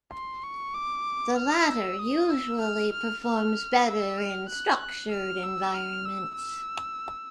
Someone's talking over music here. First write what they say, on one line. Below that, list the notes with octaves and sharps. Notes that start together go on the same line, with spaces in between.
The latter usually performs better in structured environments.
C6
C#6
D6
F6
E6
D#6
E6
F6
F6
F6
E6
F6
F#6
F#6
F6
E6
F6
E6
E6